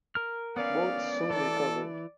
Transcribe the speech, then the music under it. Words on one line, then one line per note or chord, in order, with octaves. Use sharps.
Both soon recovered.
A#4 F6
B3 C#4 D5 F5
E3 A4